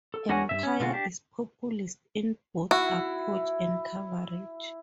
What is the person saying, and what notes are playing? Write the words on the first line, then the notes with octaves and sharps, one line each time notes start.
"Empire" is populist in both approach and coverage.
A4
E2 D4 F#4 A#4 C#5 G#5
G2 B2 E5
C#4
B2 D3 G#3 F4 F#4
D4 G4
E4 F#4